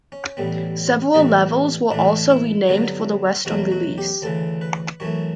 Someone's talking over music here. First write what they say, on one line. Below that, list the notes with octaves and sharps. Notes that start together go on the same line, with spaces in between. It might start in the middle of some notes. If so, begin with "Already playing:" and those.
Several levels were also renamed for the Western release.
C#4
A1 A2 G3 B3
A2 E3 G3 B3
A2 E3 A3 D4
E4
G2 D3 F#3 B3
E2 B2 F#3 A3 F#4
F#4
G4
D2 C#3 E3 A4
B4
F#2 E3 A3 C#5